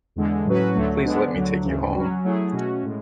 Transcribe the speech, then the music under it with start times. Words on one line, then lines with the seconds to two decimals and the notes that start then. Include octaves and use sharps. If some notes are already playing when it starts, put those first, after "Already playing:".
Please let me take you home?
0.16 E2 D3 G#3
0.46 A2 F#3 C#4 F#4 B4
0.75 D2 D3 F#3 A3
1.05 D3 G#3 B3 D4
1.35 D2 D3 F#3
1.64 D2 C#3 E3
1.95 F#3 C#4 F#4
2.24 F#3 A3 E4 G#4
2.53 B2 A3 C#4 F#4
2.83 A2 G#3